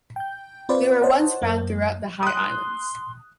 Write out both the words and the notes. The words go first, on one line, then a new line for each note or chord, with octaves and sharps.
They were once found throughout the high islands.
G5 G6
C4 F4 B4 C5 D5
C5 C#5 D#5 F#5 A5
F#2 A#3
C6 D#6 F#6